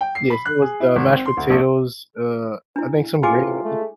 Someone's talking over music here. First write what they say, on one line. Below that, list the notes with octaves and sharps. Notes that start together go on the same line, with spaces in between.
Yes, it was the mashed potatoes, uh, I think some gravy
G5
C7
B5
F#6
G#4
E4
G#1
C4
C6
D2
A#1
D4 E4
A1 C3 F4 G#4 G#5 D6
G#3 A3